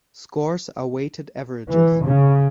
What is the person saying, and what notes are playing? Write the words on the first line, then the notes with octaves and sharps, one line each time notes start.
Scores are weighted averages.
E3
C#3